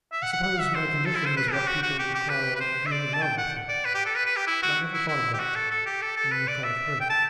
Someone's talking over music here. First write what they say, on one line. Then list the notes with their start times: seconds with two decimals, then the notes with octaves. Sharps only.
I suppose my condition was what people would call being in love with her; but I never thought of that; I only thought of her.
0.12 E5
0.22 F#5
0.33 F#5
0.43 F#5
0.60 E5
0.75 C5
1.06 A4
1.15 E4
1.26 C5
1.37 B4
1.52 G4
1.68 F#4
1.83 F#4
1.99 G4
2.15 G4
2.29 B4
2.56 B4
2.60 C5
2.86 E5
2.92 D5
3.14 A5
3.22 G5
3.38 F#5
3.69 D5
3.85 B4
3.94 G4
4.06 A4
4.16 B4
4.26 B4
4.36 G4
4.47 E4
4.63 F#4
4.94 E4
5.08 E4
5.33 G4
5.39 F#4
5.55 A4
5.70 A4
5.86 G4
6.02 A4
6.17 A4
6.32 B4
6.48 D5
6.63 E5
7.00 G5
7.10 A5